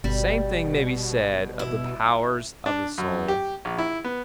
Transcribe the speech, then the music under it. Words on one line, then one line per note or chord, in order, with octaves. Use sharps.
The same thing may be said of the powers of the soul.
G1 B2 G3
E4
D4
F#2
G4
A#1
E4
B3